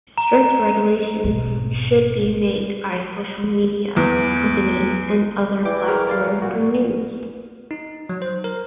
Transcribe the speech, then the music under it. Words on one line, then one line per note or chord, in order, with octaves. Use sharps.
Strict regulations should be made by social media companies and other platforms for news.
A#5
G#1 B2
E2
E3 D5 G5 D6
G4 G#4 A#4
A#4 D5 F5
A#2 F#4
D#4
F#3
C5
A#4